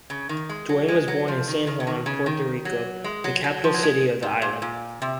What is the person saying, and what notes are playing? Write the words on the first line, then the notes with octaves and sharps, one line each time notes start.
Dwayne was born in San Juan, Puerto Rico the capital city of the island.
C#3
D#3
G#3
F#3
G#3
F#3
F3
D#3
D#3
C#3
D#3
C#3
D#3
F#3
G#3
F#3
F#3
F3
F#3
G#3
G#2
A#2
A#2
C3